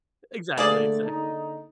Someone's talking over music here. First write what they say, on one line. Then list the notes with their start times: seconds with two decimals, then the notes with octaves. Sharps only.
Exactly, exactly.
0.57 D3 A3 A#3 G#4 D5
1.06 D3 D#4